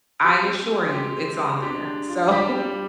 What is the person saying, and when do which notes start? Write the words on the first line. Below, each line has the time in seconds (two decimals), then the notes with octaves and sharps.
I assure you it's on there. So,
0.24 C4 G4
0.47 C4
0.71 G#3
0.93 G#3 G4
1.17 C4
1.39 G#3
1.62 D4 G4
1.85 D4
2.08 F4
2.31 G3 G4
2.55 G3